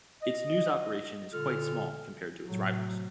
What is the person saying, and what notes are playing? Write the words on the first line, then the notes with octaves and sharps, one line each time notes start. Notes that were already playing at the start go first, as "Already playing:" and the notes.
Its news operation is quite small compared to its rivals.
D#5
A#2 D3 F4 A4 F6
A2 C3 F#3 A3